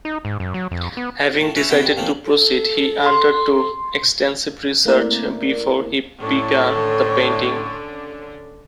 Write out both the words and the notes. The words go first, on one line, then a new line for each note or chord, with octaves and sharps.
Having decided to proceed, he undertook extensive research before he began the painting.
D#4
G#2
F#2
F#3
F2
B3
A2 A5
C#4 B4 C#5 E5
D2 C3 C4 F#4 B4 G5
G2
A#2 E3 F3 A3 C4
A4
C6
A3 A#3 C4 E4 A#4 D5
A2 D3 C#4 D4 C#6